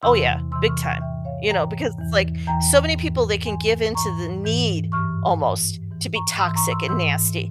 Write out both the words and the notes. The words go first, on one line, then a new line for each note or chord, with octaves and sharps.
Oh, yeah. Big time. You know, because it's like, so many people, they can give in to the need almost to be toxic and nasty.
E2 C3 E3 C6 E6
E2 C3 E3 C6 E6
C#6 F6
C#6 F6
G#2 E3 E5 G5
C#5 F5
G#2 E3 G5 A#5
E2 E3
E2 E3 G5 A#5
G#2 E3
G#2 E3 G#5 C6
G#2 E3 A#5 C#6
G#2 E3
G2 E3 C#6 F6
G2 E3
G#2 E3
A#5 C#6
G#2 E3 C6 E6
A#5 C#6
C6 E6
G#2 E3 C6 E6